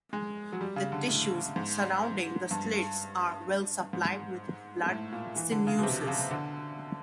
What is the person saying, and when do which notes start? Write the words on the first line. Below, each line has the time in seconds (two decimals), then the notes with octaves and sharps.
The tissues surrounding the slits are well supplied with blood sinuses.
0.13 G#3
0.53 F#3
0.61 G3
0.76 C#3
0.92 D3
1.08 A2
1.56 G#2
2.51 G2
3.93 G#2
4.88 A2
5.12 A#2
5.36 E3
5.52 D3
5.67 C#3
5.79 B2
5.83 C3
6.07 C#3
6.31 D3